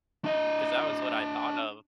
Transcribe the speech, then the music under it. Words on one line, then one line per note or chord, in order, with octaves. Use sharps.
'Cause that was what I thought of
D4 D#5